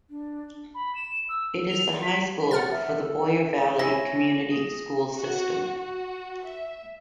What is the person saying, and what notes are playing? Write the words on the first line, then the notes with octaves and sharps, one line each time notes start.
It is the high school for the Boyer Valley Community School system.
D4
B5
E7
E6
F7
B6
F#5 F6 A6
E5
A4
A3 G5
E4 C#5 G#5 A#6
G#4 D#6
F#4
F#4
E5